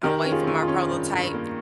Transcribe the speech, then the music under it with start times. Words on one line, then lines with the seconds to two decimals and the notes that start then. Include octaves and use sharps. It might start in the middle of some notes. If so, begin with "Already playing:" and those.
I'm waiting for my prototype.
0.03 D#3 G4 A#4
0.25 C#4
0.32 F4 G#4
0.47 D#3
0.61 F4 G#4
0.68 C#4
0.91 G2
1.12 G2
1.34 A#3